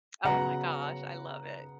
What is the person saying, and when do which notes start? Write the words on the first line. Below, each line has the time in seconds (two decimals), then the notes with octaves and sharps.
Oh my gosh, I love it.
0.24 C#3 F#3 B3 F#5 A#5